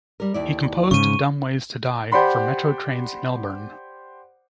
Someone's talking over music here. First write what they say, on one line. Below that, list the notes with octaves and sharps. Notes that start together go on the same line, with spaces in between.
He composed "Dumb Ways to Die" for Metro Trains Melbourne.
G3 A#4
D#2 E4 D5
G#2 C#3 C#6 D#7
G4 C5 D5 F#5 B5 C6